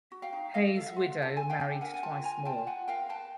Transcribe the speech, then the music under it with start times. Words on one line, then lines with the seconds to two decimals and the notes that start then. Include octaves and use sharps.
Hay’s widow married twice more.
0.12 F#4
0.22 F5 G5
0.33 D#4
0.54 A4 D#5 F5
0.76 A4 F5
0.86 E5 F#5
0.96 F4
1.18 A4 A5
1.37 A4 G#5
1.50 F5 G5
1.61 D4
1.81 A#4 F#5 G#5
1.94 G#5
2.03 F4 G5 A5
2.24 F4 G#5 A#5
2.45 F4 G5 A5
2.66 F4 F#5 G#5
2.88 A#4 F5 G5
3.09 B4 G5 A5